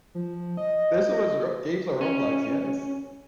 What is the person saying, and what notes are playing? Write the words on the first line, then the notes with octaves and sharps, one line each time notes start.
There's so much Ro games on Roblox, yes.
F3
D#5
C#4